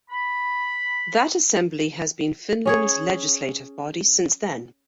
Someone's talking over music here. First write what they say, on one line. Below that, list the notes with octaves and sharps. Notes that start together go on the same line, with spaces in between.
That assembly has been Finland's legislative body since then.
B5
C#4 G#4 C#5